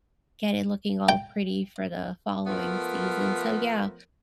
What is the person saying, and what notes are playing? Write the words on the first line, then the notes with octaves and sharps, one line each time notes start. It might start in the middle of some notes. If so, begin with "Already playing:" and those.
get it looking all pretty for the following season. So, yeah,
G5
F3 A3 B3 A#4